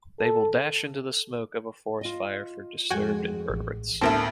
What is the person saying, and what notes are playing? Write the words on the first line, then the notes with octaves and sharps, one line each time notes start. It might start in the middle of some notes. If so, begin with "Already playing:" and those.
They will dash into the smoke of a forest fire for disturbed invertebrates.
A4
F4 D#5
F2 G#3 F#4 G5 G#5
A1
D2 A2 B3 C4 A#4 E5 A5